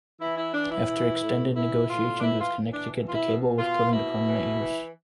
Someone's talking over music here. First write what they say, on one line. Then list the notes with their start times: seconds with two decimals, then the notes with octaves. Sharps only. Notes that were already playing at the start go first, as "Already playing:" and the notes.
After extended negotiations with Connecticut the cable was put into permanent use.
0.20 E3 E4
0.37 E4
0.54 E3 D4
0.71 E4
0.88 E3
1.22 A2
1.56 E3 E4
1.89 A2 F4
2.19 D4
2.23 E3 E4
2.40 F4
2.57 E3
2.74 D4
2.91 B2
3.07 F4
3.13 E4
3.24 B2
3.58 B2 F4
3.92 B2 E4
4.26 E3
4.60 E3